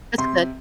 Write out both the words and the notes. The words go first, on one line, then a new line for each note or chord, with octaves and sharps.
that's good.
C3 C6